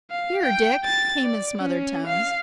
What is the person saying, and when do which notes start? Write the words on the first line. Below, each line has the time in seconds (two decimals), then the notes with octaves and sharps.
"Here, Dick," came in smothered tones.
0.11 F5
0.43 G5
0.84 A6
1.23 D5
1.57 C#4
2.07 F5